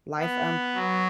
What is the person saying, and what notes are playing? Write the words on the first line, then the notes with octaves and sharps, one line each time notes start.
life, um,
B3
F#3